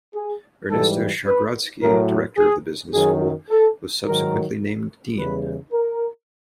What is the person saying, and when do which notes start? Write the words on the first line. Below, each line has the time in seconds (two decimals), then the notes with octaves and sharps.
Ernesto Schargrodsky, director of the business school, was subsequently named dean.
0.15 G#4
0.70 G#2 E3 G3 A4
1.26 B4
1.82 A2 F#3 A#4
2.37 G#4
2.94 F#2 D#3 F#3 G#4
3.50 A4
4.05 G#2 D#3 F#3 A#4
5.17 E2 C#3 E3 G3 B4
5.73 A#4